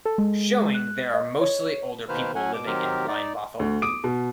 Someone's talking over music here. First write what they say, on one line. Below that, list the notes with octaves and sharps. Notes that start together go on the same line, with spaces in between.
Showing there are mostly older people living in Blindbothel.
A4
G#3
F#6
D#5
C#5
B2 D#3 A#3 B4 C5 F6
F#3 C#4 F#5 G#5
B2 D6
D#3 F#3 C4 G4 A#4
D#4 D5
D2
D6 D#6 D7
B2